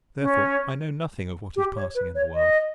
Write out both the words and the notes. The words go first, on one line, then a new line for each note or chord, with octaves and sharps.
Therefore, I know nothing of what is passing in the world.
C#4
G4
C#5
B4
C#5
D#5